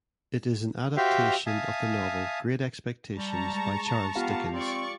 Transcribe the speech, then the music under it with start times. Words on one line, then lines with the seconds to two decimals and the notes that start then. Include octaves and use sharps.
It is an adaptation of the novel "Great Expectations" by Charles Dickens.
0.97 F#4 G4 C5 E5 F5 G5
1.47 E5 F5 G#5 A5 D#6
3.17 G3 A5 A#5 C#6
3.53 G#3
4.16 B3 F4 G4 F5
4.53 C4 D5 C#6